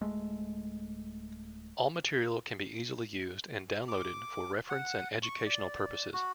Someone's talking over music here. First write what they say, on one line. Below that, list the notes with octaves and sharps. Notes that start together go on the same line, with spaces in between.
All material can be easily used and downloaded for reference and educational purposes.
D1 G#3 A3
D6
F#5
C#6
D5
F#4